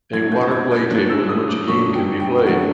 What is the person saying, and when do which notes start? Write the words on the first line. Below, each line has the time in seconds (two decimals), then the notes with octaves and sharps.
A water play table in which a game can be played.
0.12 F#2 D3 F#3 A3 G#6
0.32 G6
0.51 G#6
0.71 G6
0.91 F#2 D3 F#3 A3 F#6
1.10 E6
1.29 D#6
1.49 D6
1.68 F#2 D3 F#3 A3 C#6
1.94 G5
2.20 G5
2.46 F#2 D3 F#3 A3 F#5